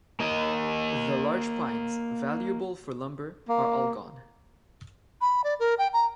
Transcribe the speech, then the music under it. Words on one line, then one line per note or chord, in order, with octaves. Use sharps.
The large pines, valuable for lumber, are all gone.
A#3 D#5
A#3
B5
D5
A#4
G5
A#5